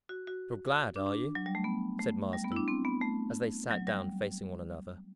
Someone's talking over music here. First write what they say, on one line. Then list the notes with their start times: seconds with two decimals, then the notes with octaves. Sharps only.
"You're glad, are you?" said Marsden, as they sat down facing one another.
0.09 F#4
0.27 F#4
0.96 D4
1.07 D4
1.35 F#3
1.46 G3
1.55 A3
1.64 B3
1.99 A3
2.33 G3
2.44 B3
2.52 E4
2.56 D4
2.68 C4
2.85 B3
3.02 A3
3.71 F#3
3.87 G3